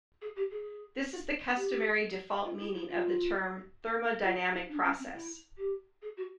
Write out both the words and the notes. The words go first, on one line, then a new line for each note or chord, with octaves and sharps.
This is the customary default meaning of the term 'thermodynamic process'.
G#4
G4
G#4
G4
F4
E4
E4
F4
F4
E4
D4
C#4
C4
E4
G4
G#4
F#4